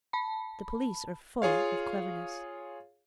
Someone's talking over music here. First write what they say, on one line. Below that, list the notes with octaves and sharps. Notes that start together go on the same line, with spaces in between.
The police are full of cleverness.
A5 B5
F4 G#4 C#5 F5